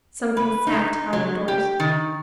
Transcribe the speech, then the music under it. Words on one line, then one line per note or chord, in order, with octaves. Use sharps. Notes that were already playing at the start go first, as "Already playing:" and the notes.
Something snapped out of doors.
B4
D#4
F#3
G4
D#3